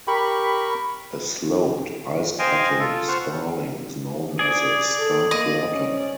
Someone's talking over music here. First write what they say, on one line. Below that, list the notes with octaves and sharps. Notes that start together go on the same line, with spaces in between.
A sloped, ice-cutting starling is known as a starkwater.
G4 A#4 B5 C#6
C5 D#5 F5 G5 G#5
F4 A4
C5 F#5 C#6 F6
G#4 D5
A4
A#3 D#5
C#4